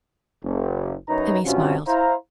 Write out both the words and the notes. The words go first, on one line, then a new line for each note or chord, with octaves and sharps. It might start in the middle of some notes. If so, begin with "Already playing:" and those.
Emmy smiled.
F#1
F#2 D#4 B4 C#5 A#5
G2 C3 C4 C#4 F4 F#4
E4 C5 F5 A#5